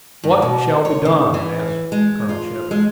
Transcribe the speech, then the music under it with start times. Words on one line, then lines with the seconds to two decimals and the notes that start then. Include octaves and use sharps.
"What shall be done?" asked Colonel Shepard.
0.24 G2
0.42 B2
0.85 C#5
1.05 C#3
1.34 E3
1.92 G#3
2.29 F4
2.71 G#3